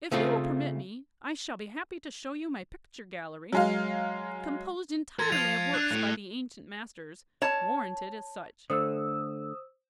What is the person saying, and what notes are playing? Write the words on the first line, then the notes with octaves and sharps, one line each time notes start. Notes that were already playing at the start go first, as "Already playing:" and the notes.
If you will permit me, I shall be happy to show you my picture gallery, composed entirely of works by the ancient masters--warranted as such.
C#3 A3 C4 F4 G#4
F#3 G#3 F5
A4 C6 G#6 A6
F3 C7 D#7 F7
D4 F#6
A2
C#5 A5
D3 A3 C5 D#6 E6